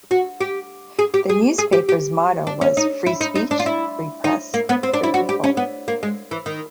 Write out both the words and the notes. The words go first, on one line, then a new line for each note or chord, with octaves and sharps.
The newspaper's motto was "Free Speech, Free Press, Free People".
F#4
G4
G#4
G4
G#4
G#4
G4
G4
D4
C#4
D#4
E4
D#4
D#4
D4
F4
E4
D#4
A#3
B3
C4
D4
E4
F#4
G4
C#4
B3
A#3
G#3
E3
D#3